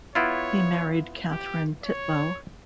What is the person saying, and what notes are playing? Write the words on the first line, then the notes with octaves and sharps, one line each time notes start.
He married Catherine Titlow.
B3 E4 F4 C#5
G4
C#5